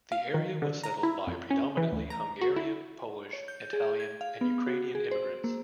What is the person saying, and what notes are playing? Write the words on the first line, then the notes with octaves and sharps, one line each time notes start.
The area was settled by predominantly Hungarian, Polish, Italian and Ukrainian immigrants.
F5
D#3
D3
A#5
E4
F2
C#4
E3
D2
A#5
F#4
E4
C#5
G6
G#4
G#6
F5
B3
F#4
G#4
C5
A#3